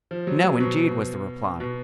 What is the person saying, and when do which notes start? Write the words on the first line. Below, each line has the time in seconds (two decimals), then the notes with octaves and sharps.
"No, indeed," was the reply.
0.11 F3
0.27 F#3
0.44 F#3
0.60 B2
1.60 B2